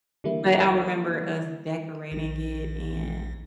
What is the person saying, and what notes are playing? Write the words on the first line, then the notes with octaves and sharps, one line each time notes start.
but I remember us decorating it, and,
D3 E3 G3 A#3 E4
A#1